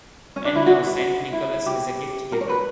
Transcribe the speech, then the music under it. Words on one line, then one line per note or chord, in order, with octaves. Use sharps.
And so, Saint Nicholas is a gift-giver.
C#4
D4
E4
F#4
E4
G4
A#4
C#5
B4